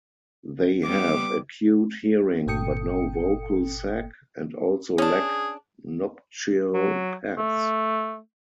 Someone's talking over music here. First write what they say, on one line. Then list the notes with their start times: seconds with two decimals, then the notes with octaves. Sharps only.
They have acute hearing, but no vocal sac, and also lack nuptial pads.
0.84 G3 B3 D6
2.47 G1 A#2 A4 G5 D#6 C#7
4.98 C#4 D4 G#4
6.74 F#3
7.37 A3